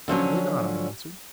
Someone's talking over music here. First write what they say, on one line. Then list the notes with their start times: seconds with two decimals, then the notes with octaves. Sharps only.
"Probably not," I answered.
0.08 D3 F3 F#3 C#4